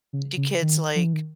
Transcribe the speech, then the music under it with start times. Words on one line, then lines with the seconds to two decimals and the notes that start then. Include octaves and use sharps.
do kids, like,
0.13 C#3
0.37 C#3
0.62 D#3
0.96 F3
1.04 E3
1.13 D#3